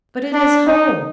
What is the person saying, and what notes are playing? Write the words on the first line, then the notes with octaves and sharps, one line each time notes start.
But it is home.
D4
D#4